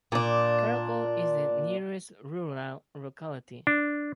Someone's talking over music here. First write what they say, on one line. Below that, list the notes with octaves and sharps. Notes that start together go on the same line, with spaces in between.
Karakol is the nearest rural locality.
A#2 D4
D4